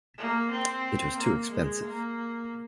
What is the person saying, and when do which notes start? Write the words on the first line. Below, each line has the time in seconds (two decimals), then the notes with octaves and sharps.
It was too expensive.
0.18 A#3
0.51 C4
1.17 A#3
1.50 G#3
1.84 A#3